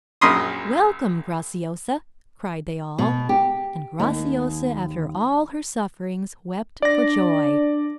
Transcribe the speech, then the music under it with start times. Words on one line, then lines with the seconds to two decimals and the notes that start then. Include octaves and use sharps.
"Welcome, Graciosa!" cried they all; and Graciosa, after all her sufferings, wept for joy.
0.21 A#1 F#2 A#4 B5 C6 D#6
2.98 B2
3.29 G4
4.00 D#2
6.82 D4 D5 A#6